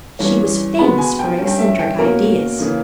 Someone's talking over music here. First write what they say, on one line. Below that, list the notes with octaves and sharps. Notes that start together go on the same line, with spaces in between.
She was famous for eccentric ideas.
G2 E3 G3 C#4
B2 G#3 B3 B5
G#5
G5
G2 G3 C#4
G5
E5
G5
B2 A#3 C#4 A#4
C#3 E3 A#3